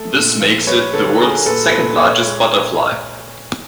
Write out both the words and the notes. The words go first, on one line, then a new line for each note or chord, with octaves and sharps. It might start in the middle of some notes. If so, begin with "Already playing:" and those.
This makes it the world's second largest butterfly.
Already playing: A3 A4
A#2
F3
G3 B4 C#5
D3 A4 B4
B4
G3 G#4 A#4
A#2 A4 B4
A#2 A4 B4
A#2 B4 C#5
G#3